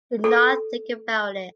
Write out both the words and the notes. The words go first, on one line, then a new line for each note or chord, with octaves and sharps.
Do not think about it.
A4